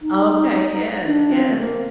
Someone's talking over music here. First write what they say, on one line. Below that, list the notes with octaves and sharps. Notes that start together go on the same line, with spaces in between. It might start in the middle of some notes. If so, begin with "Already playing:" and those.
Oh, okay, yes, yes, becau
D#4
D4
C4
A3
A#3